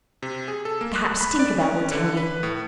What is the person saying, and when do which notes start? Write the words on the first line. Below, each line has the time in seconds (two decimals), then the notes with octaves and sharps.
'Perhaps Tinker Bell will tell me.'
0.23 C3
0.48 G#4
0.65 A4
0.81 A#3
0.96 F#6
1.21 B5
1.39 D5
1.61 C#4
1.92 D3
2.17 B4
2.43 A2